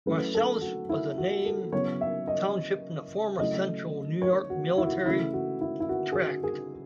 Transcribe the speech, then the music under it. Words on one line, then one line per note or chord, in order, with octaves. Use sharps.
Marcellus was a named township in the former Central New York Military Tract.
F#3 A3 C#4 E4 B4
A4
F#4
E4
F#4
A4
C#3 F#3 B3 E4 C#5
E5
D#5
C#3 F#3 A3 E4 D#5
C#5
F#4
E4
F#4
E4
C#3 E3 A3 E4
F#4
E4
E4
F#4
G#4
F#4
G#4